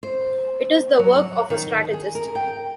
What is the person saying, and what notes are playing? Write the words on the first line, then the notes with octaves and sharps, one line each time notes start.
It is the work of a strategist.
C5
F#3
F#5
D#3
G#4
A#4
G5